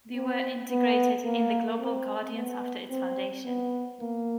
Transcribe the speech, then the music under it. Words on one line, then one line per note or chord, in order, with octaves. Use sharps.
They were integrated in the Global Guardians after its foundation.
C4
B3
A#3
C4
B3
C4
B3
A#3